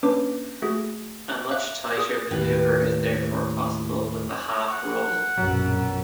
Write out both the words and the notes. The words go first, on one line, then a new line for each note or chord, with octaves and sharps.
A much tighter manoeuvre is therefore possible with the half roll.
A#3 C#4 D4 B4 D6
A3 F#4 G#4
E5 F5 F#6
G#4 D#6
D#2 A2 B4 G5
F#5
A#1 F#2 B2 F#3